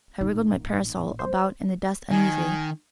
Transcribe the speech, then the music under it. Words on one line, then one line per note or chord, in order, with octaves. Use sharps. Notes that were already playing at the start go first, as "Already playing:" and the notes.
I wriggled my parasol about in the dust uneasily.
A1 A#2 D#4
C5
D#3 G#5